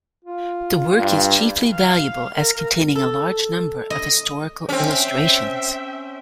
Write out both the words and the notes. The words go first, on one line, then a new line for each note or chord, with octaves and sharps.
The work is chiefly valuable as containing a large number of historical illustrations.
F4
G2
F5
A#4
A4
D#5
C4 C#4 E5 G5